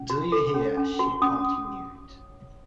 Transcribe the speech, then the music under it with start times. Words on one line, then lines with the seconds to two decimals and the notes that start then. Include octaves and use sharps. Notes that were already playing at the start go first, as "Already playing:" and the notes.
'Do you hear?’ she continued.
Already playing: C#4
0.10 F#4
0.32 A4
0.54 C#4
0.77 C#4
0.99 F#4
1.22 C#4 D#6